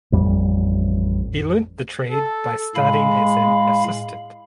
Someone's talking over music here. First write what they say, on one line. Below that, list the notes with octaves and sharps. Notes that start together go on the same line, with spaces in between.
He learned the trade by starting as an assistant.
A1 F2 G3
A4
A2 G#3 F5 B5